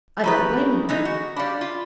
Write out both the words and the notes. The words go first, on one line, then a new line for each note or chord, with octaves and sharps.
I don't blame you.
A3 G4 G#4 B4 A#5 B5
D3 E3 D#4
F#4
G3 D4 D5 F5 B5
F4